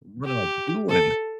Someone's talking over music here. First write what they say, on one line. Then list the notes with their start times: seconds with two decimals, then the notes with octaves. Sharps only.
"What am I doing?"
0.25 G4
0.89 A4